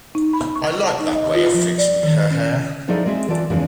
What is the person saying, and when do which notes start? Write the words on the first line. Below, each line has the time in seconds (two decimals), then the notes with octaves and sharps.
I like that way of fixing her hair.
0.15 D#4
0.33 B5
0.56 C#6
0.86 A5
1.00 D#4
1.15 D#5
1.35 F4
1.54 F3
1.78 D5
2.03 D#3
2.31 C#4
2.88 F3 D#4 E4 G#4 A4 D5
3.06 G#3 C4 G#4 E5
3.28 E3 F4 A4 D5
3.50 E2 C#3 E3 F3 G#3 D#4